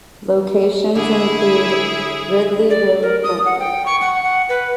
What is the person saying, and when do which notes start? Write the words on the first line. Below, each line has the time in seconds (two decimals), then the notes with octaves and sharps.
Locations include Ridley Road market.
0.95 D3 E4 G#4
2.70 D5
3.02 A#4
3.23 D#6
3.45 F#5
3.59 G5
3.86 C#6
4.01 F#5
4.23 F#5
4.49 B4